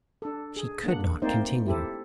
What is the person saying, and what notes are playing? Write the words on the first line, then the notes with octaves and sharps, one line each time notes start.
She could not continue.
D4 A4
G#4
A#3 D4 F#5
A3 A#3 C4 D#4 C5 D5
E4 G4 A4 C5